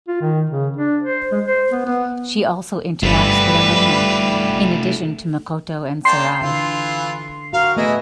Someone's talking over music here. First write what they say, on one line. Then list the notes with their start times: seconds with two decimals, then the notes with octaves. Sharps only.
She also interacts with Elena, in addition to Makoto and Sarai.
0.08 F4
0.21 D#3
0.50 C#3
0.77 D4
1.03 C5
1.32 G#3
1.44 C5
1.72 B3
1.86 B3
3.03 G1 G3 A3 F4 B4
6.05 A#3 D4 G5 C6 C7
6.42 D3 E3 F4
7.53 F#4 A#4 F5
7.77 A3 B3 E4 G#4 B4 D#5